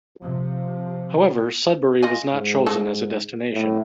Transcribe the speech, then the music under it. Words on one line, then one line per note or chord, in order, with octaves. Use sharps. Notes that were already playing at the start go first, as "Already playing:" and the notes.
However, Sudbury was not chosen as a destination.
C3 F3
F4 D#5 G#5
G#2
C#3 A4
A2